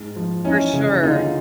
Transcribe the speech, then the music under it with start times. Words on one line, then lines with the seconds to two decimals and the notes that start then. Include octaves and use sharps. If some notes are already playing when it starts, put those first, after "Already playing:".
For sure.
Already playing: G#2
0.16 F3
0.45 E3 C#4 D#4
0.73 C#3
1.03 D3 D#4 F4